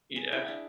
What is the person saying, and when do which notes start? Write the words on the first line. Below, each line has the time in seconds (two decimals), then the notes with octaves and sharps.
you know?
0.16 G#4
0.32 E4
0.48 D4